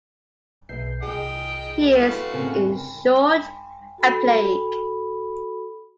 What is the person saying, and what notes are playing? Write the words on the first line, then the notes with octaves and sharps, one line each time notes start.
He is, in short, a plague.
B1 G#4 B4 E5 G6 C7
C2 F4 G#4 D#5 G5
A3 E4 F#4 B4 F5
A2 C#3 C4 G#4 A#4 G#5
F#4 A4 B5